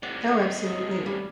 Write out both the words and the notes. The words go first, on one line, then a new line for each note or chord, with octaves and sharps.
Oh, absolutely.
A2 C3 D5 F#5
D#5
G3 C#4